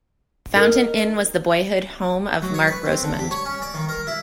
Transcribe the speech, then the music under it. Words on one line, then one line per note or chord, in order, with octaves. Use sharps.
Fountain Inn was the boyhood home of Marc Rosamond.
D#4 A#4
F#3
C#5
B4
C4
D3
G4
C#5
C#4
D5
D#3
A#4
E4